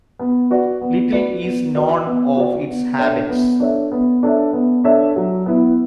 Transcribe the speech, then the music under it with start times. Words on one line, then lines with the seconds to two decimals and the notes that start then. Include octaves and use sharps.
Little is known of its habits.
0.19 B3
0.50 F#4 B4 D5
0.81 B3
1.12 F#4 B4 D5
1.44 B3
1.75 F#4 B4 D5
2.06 B3
2.37 F#4 B4 D5
2.68 B3
2.99 D4 A4 C#5 E5
3.29 B3
3.60 D4 A4 C#5 E5
3.92 B3
4.23 D4 A4 C#5 E5
4.53 B3
4.84 D4 A4 C#5 E5
5.16 F#3
5.46 B3 E4 B4